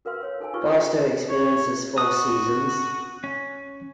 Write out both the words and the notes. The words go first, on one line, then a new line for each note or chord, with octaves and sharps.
Barstow experiences four seasons.
F#4 A#4 B4 F5 C6
A#4 C#5 F5
D#4 A4 A#4 F5 G#5 A5
D#4 F4 G4 B4 C#6
D4 G#4 A4 C5 D5 D#5
C#5
F#4 D#6
C#4